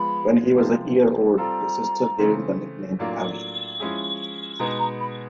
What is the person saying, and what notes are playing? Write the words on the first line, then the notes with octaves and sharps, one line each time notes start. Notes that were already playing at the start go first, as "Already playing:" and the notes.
When he was a year old, his sister gave him the nickname Avi.
Already playing: F3 G#3 B3 B5
C3 F3 G#3
G3 C4 F4 A4 A#5
C#3 E3 A3 C4
A2 F#3 A#3 D4 F4
F3 G#3 C#4 E4 G#4
B2 G#3 B3 D#4 A#5
A#5
B5